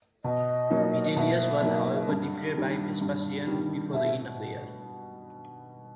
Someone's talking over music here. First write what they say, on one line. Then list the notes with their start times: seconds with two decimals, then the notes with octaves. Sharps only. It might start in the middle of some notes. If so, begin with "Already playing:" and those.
Vitellius was, however, defeated by Vespasian before the end of the year.
0.24 B2 D#5
0.70 F#3 A#3 D#4
1.16 B2 E5
1.63 F#3 A#3 D#4
2.09 G2
2.54 D#3 G3
3.01 G2
3.47 D#3 G3
3.93 B2 E5